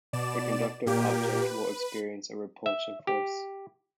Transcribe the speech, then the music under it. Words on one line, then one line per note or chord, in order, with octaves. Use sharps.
A conductive object will experience a repulsion force.
B2 D5 E7
A#2 A#3 G4 D6
B4
E5
G4